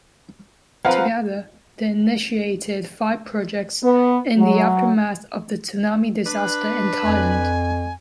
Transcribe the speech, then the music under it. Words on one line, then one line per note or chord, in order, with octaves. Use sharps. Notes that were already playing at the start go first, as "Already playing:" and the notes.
Together, they initiated five projects in the aftermath of the tsunami disaster in Thailand.
F3 C4 B4 F5 F#5 A#5
B3
F#3
D4 B4
F2 G#5